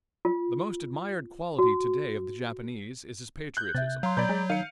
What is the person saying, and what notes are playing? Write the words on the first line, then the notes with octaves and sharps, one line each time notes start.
The most admired quality to-day of the Japanese is his patriotism.
F4
F#4
F#6 G6
C3 E5 A6
F#3 F5 A#5 C6
B2 D5 A#5 B5 G6 G#6
G#3 C#5 A#5
D#3 F5 C#7 D#7